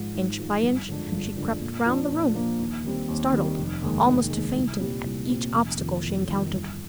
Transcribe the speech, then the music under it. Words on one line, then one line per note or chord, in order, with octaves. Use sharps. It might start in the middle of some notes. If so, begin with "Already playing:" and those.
Inch by inch, she crept round the room, startled almost to fainting at each obstacle she encountered.
Already playing: G#1 G#2 F3
G#1
G#2 F3
G1
F2 D3 G#3 D4
G1
F2 D3 G#3 D4
A#2
F3 A#3 D4
A#2
F3 A#3 D4
D#2
D#3 G3 C4
D#2
D#3 G3 C4
F1
D#2 D#3 G#3
F1
D#2 D#3 G#3
C2
A#2 G3 C4
C2
A#2 G3 C4
F1
F2 D#3
F1
F2 D#3
G1